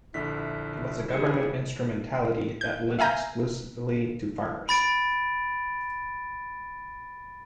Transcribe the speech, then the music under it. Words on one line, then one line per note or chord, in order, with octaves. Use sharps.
It was a government instrumentality that lent exclusively to farmers.
A#1 D3 E4 B6
E3 G3 G#4 C5 C#7
G6
E5 F5 G#5 A#5 G6
B5 A6 D7